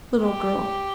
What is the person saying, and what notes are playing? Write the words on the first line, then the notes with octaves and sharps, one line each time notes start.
Little girl.
G4